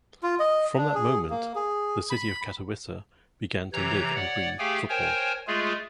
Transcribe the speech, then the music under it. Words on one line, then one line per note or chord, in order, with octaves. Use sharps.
From that moment the city of Katowice began to live and breathe football.
F4
D#5
D4
G#4
A#3
G#4
B5
C3 E3 C#5 A#5 G6
C#5 D5 F#5
A3 G4 G#4 F5 G5 G#5
A#4 C5 C#5 G5 G#5
G#3 A3 F4 G#4